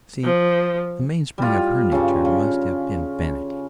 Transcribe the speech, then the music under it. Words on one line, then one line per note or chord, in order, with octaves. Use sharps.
You see, the mainspring of her nature must have been vanity.
F3
G3 F4
G2 C#3
C#3